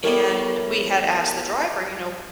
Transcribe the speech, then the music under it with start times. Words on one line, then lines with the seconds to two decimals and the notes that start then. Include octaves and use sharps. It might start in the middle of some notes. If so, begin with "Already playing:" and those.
and we had asked the driver, you know,
0.04 B3 E4 G4 A4 A#4 C#5